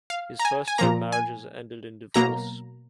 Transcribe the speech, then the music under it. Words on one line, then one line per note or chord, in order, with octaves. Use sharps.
His first two marriages ended in divorce.
F5
A#5
G#5
G#5
A#2 F3 A#3 A#5
G#5
B2 F#3 A#3 A#5